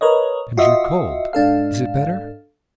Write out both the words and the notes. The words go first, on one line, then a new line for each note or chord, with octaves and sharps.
'And your cold, is it better?'
A#4 B4 C#5 D#5
F4 F#4 D#5 E5
G#2 D4 A4 F5